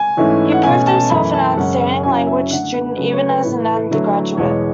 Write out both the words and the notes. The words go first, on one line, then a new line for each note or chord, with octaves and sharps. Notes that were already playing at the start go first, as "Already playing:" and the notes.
He proved himself an outstanding language student even as an undergraduate.
Already playing: G#5
G#2 E3 A3 C#4 E4
F#5
B2 A3 C#4 G#5
A5
F#2 E3 A3 E4 B5
A5
F#2 C#3 G#3 C#4 F#5
C#3 F#3 C#4 E4 G#5
E5
D3 A3 D4 F#5
B4
C#3 F#3 A3 B4
C#5
B4
A2 E3 A3 E4
D3 F#3 A3 E4
E2 B2 G#3 C#5